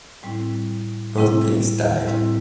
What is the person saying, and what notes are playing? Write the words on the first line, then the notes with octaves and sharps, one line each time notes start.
Both pigs died.
A2 G3 C4 E4
A2 G3 C4 E4
A2 G3 C4 E4